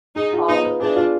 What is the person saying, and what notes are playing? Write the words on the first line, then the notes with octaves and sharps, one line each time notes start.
All of tho
D#4 G#4
F4
B3 D#4
B3
D4 G#4
F4